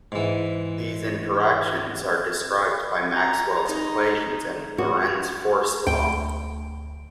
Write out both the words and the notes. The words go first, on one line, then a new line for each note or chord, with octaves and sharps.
These interactions are described by Maxwell's equations and the Lorentz force law.
G#2 E3
A#5
D#4
F#4
D2 G5